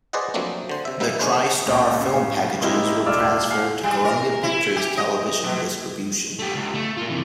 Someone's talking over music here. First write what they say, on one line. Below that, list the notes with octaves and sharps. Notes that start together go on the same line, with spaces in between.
The Tri-Star film packages were transferred to Columbia Pictures Television Distribution.
G#4 B4 C5 D5 D#5 F#5
F3 F#3 A3 A#3 C4 D4
D3 C5
C3 E5
C3 G3 B3 D#4 E5 F5
G#3 C#4 D4 B4 C5
C#2 A#2 C#4 G5
A2 C#3
G#3 A#3 C4 E4 G4 A#4
E1 F4 D5 D6 E6 F6
F5 F#5 G#5 F6 C7
G3
A#4
E4
G4
D#5
B2
A3 G4
C#2
A3
F4 A#4
C3 E3